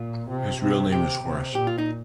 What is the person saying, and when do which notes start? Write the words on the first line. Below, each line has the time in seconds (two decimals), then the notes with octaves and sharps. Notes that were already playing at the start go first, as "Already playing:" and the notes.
His real name is Horace.
Already playing: A#2 F4
0.29 C3
0.61 C3
0.92 C3 G4
1.23 C3
1.55 A#2 G4
1.67 F4
1.78 D#4